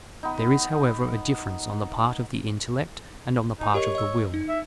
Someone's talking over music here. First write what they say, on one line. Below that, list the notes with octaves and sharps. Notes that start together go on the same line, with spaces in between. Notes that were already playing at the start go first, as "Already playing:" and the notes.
There is however a difference on the part of the intellect and on the part of the will.
B3 D#4
D#4
G4 A#4 C#5 D#5
D#5 E6
D#4
E5